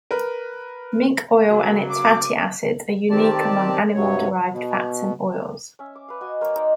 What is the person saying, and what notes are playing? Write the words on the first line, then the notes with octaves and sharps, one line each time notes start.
Mink oil and its fatty acids are unique among animal-derived fats and oils.
A#4 B4
C#3 F#3 A#3
D6
D#3 C4 G4 D5 A5
G2 C3 F#3 C#5
B2
C#4 E5
D6
B4 F5
F#4 D#5 G#5
A#3 C5 C#5
D#4 A#4 D5 D#5